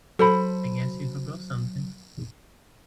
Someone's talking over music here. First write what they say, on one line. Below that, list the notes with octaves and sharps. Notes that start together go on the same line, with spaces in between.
I guess you forgot something.
F#3 A4 C5 B5